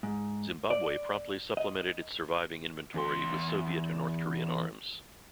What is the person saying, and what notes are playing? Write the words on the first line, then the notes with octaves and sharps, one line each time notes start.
Zimbabwe promptly supplemented its surviving inventory with Soviet and North Korean arms.
G#2
D5
D#5
E2 C6